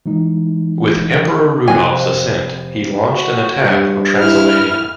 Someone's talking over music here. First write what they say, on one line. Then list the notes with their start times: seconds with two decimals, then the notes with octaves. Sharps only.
With Emperor Rudolph's assent, he launched an attack on Transylvania.
0.06 E3 G#3 D#4
1.68 F1 C4 G#5 F#6
3.12 F#4
3.65 G2
4.18 E4 F6